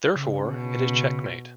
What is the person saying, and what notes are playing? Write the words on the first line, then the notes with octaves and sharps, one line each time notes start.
Therefore, it is checkmate.
C#3
B2